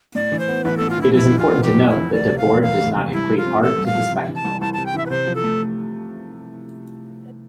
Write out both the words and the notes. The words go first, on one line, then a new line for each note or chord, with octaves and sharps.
It is important to note that Debord does not equate art to the spectacle.
A2 D5
E3
C5
B3
A1 B4
A2 A4
F4
E3 E4
F2 E4
E3
F4
B3
F1 G4
F2
E4
E3
D2 D5
C3
F5
E1
E1 F5
D2
C3
G2 E4
F3
F4
C4
A1 A4
G2
F5
F3
C3
E3
A5
C2
C2 A5
C3 A5
G5
E3 E5
B4
C3 C5
F3
A4
A3